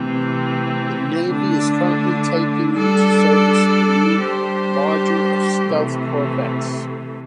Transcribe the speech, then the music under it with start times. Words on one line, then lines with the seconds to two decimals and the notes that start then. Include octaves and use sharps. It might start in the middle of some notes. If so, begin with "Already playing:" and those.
The Navy is currently taking into service the new, larger, of stealth corvettes.
Already playing: C3 E3 A3 C4
1.26 D3 A3 D4
2.73 G3 D4 A4 D5
4.19 G3 D4 G4 C5
5.66 C3 E3 A3